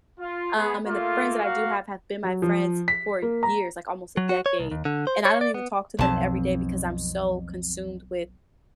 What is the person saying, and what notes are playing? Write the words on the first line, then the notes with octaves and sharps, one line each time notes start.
um, and the friends that I do have, have been my friends for years, like, almost a decade, and I don't even talk to them everyday, because I'm so consumed with
F4
B3 G#4
A3 A#3 F4
A#3 F#4 F5
F#3
F3
B6
A#3
A#5
F#3
F#4
C#5
C2
D#2
D3
C5
C#5
D5
B3
B1 F2 F3 C4 A5